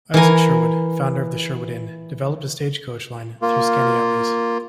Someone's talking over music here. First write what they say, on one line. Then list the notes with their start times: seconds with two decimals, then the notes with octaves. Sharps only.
Isaac Sherwood, founder of the Sherwood Inn, developed a stage coach line through Skaneateles.
0.14 E3 A#4 G#5 A#5
3.42 A#3 F4